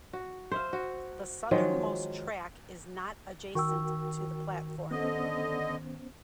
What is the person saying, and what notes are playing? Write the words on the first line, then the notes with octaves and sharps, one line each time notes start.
The southern-most track is not adjacent to the platform.
F#4
C5 E5 F5
F#4
D#3 F3 F#3 G#3
D#3 F#4 A#4 G5 C#6 E6
D3 B3 C#4 C5 D#5